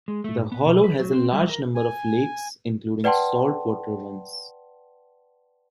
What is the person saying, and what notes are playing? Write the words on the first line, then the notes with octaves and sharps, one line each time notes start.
The hollow has a large number of lakes, including saltwater ones.
G#3
A3
G#2
B3
B2
B4
F#3
C4
G3
A#4
G#5
B4 D5 F#5 G5 A5 C6